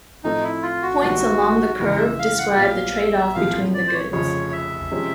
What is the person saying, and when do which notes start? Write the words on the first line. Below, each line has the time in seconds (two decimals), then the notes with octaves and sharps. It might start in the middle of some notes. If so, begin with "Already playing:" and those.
Points along the curve describe the tradeoff between the goods.
0.24 A2 F3 A3 C4 D#4
0.43 E4
0.63 F4
0.82 F#4
1.02 A#1 G#2 D#3 G3 B3
1.80 G1 F2 C#3 E3 G#3 A#4
1.99 E5
2.19 F5
2.38 F#5
2.57 A#2 G3 B3 F5
2.96 E5
3.35 A#1 A2 F3 A3 C4 F5
3.74 D5
3.88 C5
3.93 C#5
4.12 F1 F2 C#3 F3 C#5
4.52 E5
4.91 C3 F3 G#3 C#4